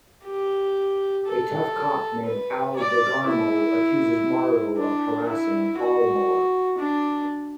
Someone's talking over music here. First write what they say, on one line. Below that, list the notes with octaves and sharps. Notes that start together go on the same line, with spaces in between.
A tough cop named Al Degarmo accuses Marlowe of harassing Almore.
G4
A4
B4
D5
E4
D4
E4
F#4
D4